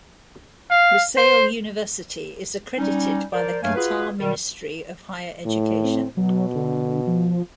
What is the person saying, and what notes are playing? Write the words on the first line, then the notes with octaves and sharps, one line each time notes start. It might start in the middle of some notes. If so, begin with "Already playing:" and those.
Lusail University is accredited by the Qatar Ministry of Higher Education.
F5
C5
G3 C#4 D#4
F3 A#4 C5 D5
G2 F#3 A3 A#3 F5 G#5
F4 F#4 G#4 B4
B2 D#3 G3
A2
C4
B2 F#3
D3
F3